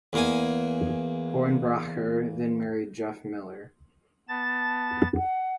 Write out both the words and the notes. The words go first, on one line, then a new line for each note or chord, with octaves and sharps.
Hornbacher then married Jeff Miller.
E2 A#3 G#5
B3 A5 A6
F#5